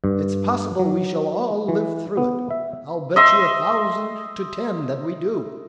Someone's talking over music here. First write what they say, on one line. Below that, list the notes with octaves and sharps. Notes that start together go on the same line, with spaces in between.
It's possible we shall all live through it; I'll bet you a thousand to ten that we do.
G2
F#3
E3
B3
E5
D#5 E5 C6